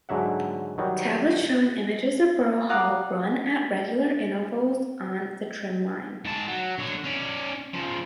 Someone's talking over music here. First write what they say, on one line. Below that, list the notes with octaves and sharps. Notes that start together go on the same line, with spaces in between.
Tablets showing images of Borough Hall run at regular intervals on the trim line.
G#2 D3 F#3 E5 F#5
D#3 F#3 G3
F5 F#5 A#5 D6 D#6 F#6
G#2 A5
F#3
D3 C#5
C#4 D5
C#3 F3